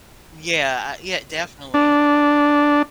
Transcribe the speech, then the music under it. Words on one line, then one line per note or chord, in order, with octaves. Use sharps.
Yeah, uh, yeah, definitely.
D4